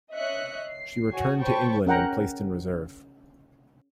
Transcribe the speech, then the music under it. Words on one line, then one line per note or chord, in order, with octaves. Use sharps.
She returned to England and placed in reserve.
C#5 D#5 E5 F#6 C#7
C7
F#4 C#5 G#5
C5 C#5 G5 A5 B5 C#6
C#4 A#4 F#5 G5 A#5